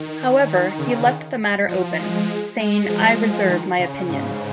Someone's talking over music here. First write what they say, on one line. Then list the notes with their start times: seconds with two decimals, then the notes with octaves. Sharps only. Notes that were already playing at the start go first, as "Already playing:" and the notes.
However, he left the matter open, saying I reserve my opinion.
Already playing: D#3
0.48 D#3
0.79 C#3
1.69 F3
1.99 G#3
2.29 G#3
2.60 G#3
2.89 F3
3.49 D#3
3.79 C#3
4.09 G#2